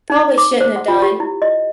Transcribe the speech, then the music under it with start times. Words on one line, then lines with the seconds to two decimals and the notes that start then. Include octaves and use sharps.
probably shouldn't have done.
0.10 D#4
0.38 D6
0.61 C5
0.76 F#5
0.88 F4
1.02 G4
1.20 E4
1.42 D#5